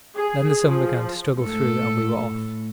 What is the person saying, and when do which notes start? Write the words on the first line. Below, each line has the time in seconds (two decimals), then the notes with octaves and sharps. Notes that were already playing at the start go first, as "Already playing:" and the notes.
Then the sun began to struggle through and we were off.
0.17 G#4
0.65 F3
1.38 G#2 A3 A4
2.21 A2